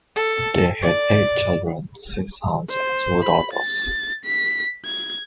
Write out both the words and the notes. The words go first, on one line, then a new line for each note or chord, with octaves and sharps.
They had eight children, six sons and two daughters.
A4
D5
C5
B5
A6
B6
G#6